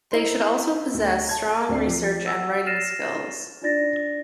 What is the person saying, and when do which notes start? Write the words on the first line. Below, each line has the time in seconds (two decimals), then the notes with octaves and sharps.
They should also possess strong research and writing skills.
0.12 D#4 E4 C5
0.94 D2
1.29 A5 G#6
1.69 D2 C4 D5 C7
1.87 F3
2.27 F#5 E6
2.66 F6 A6 A#6 C7 D#7 E7
3.62 D4 D#4 F4 D5 A6 A#6